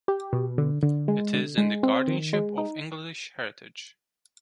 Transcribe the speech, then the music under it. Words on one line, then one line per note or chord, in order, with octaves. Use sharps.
It is in the guardianship of English Heritage.
G4
B2
D3
D3
G#3
D3
G#3
C4
D#3
G#3
D#4